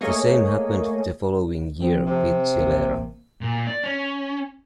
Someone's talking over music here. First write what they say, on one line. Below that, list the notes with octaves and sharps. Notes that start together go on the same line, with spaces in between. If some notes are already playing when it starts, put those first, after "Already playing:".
The same happened the following year with Gilera.
A3 A#3 G#4 C#5 D#5
F3 C4
C3
A1 A#3
A#2
D5
C#4